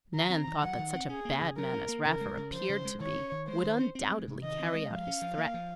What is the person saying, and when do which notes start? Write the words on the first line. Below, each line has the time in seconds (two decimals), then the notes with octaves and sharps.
Nan thought that such a bad man as Raffer appeared to be would undoubtedly carry out his threat.
0.14 D#3 A#5
0.30 C4
0.47 D#3
0.62 F#3 F#5
0.79 D#3
0.94 C4
1.09 C#4 G#4
1.25 A#3
1.41 C#3
1.57 F#3 A#4
1.73 C#4
1.89 A#3
2.05 C#3 A#4
2.21 G#3
2.37 C#3
2.53 F3 C5
2.69 C#3
2.85 G#3
3.00 D#3 C#5
3.16 C#4
3.31 D#3
3.48 G#3 C5
3.64 D#3
3.80 C#4
3.95 C4
4.11 G#3
4.27 C3
4.43 D#3 D#5
4.59 C4
4.74 G#3
4.90 F3 F5
5.07 C#4
5.22 F3
5.37 A#3
5.54 F3